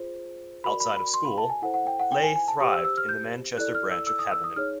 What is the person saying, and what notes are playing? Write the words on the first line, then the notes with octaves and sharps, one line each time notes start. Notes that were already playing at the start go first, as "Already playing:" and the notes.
Outside of school, Leigh thrived in the Manchester branch of Habonim.
Already playing: F4 G#4 C5
F#4 A#4 D5 B5
B5
B5
C6
B5
A5
G#5
E4 A4 C5 F#5
F#5
G5
F#5
G5
G#5
G#5
A5
G4 C5 D#6
E6
E6
F6
G6
E4 A4 D5 F#6
F6
E6
E6
D#6
E6
D#6
D#4 G#4 C#5 F6